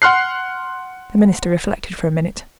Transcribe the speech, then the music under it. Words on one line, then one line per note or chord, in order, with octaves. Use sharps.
The minister reflected for a minute.
F#5 C6 F6 F#6 C7